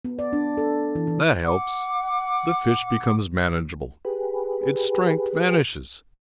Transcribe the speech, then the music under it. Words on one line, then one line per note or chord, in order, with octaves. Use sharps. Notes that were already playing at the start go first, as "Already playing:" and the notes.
That helps; the fish becomes manageable, its strength vanishes.
B3
D5
D4
A4
E3
E3
F#5 D6
G4 G#4 B4